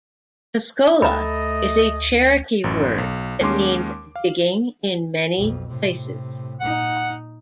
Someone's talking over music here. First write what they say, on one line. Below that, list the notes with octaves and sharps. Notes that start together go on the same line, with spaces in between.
Tuscola is a Cherokee word that means "Digging in Many Places".
D2 A3 D#5 A#5 B5
A1 F#2
B1
D#2 G#3 C#4 C6 D6
F5
B1 F2
A2 C3
A#2 D#4 F#5